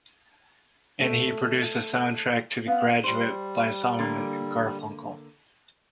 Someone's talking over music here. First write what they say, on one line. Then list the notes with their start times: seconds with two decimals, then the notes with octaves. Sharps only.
And he produced the soundtrack to "The Graduate", by Simon and Garfunkel.
1.01 A3
2.68 B3 F5
3.04 G3 C5
3.99 D3 A#3